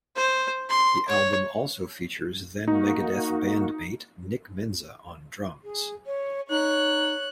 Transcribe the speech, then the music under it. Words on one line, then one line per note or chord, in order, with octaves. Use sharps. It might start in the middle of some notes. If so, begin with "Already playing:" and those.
The album also features then-Megadeth bandmate Nick Menza on drums.
C5
C6
C#5
A#3 D#4 F#4
G#4
C#5
D#4 C#5 F#6